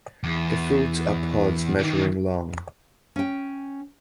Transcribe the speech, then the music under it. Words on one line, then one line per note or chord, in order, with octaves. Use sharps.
The fruits are pods measuring long.
E2
D#3 E3
C#4 G5